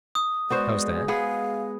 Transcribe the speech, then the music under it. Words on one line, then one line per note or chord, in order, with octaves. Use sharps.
How's that?
D#6
G#3 B3 F#4 C5 D5
B3 G#4 F5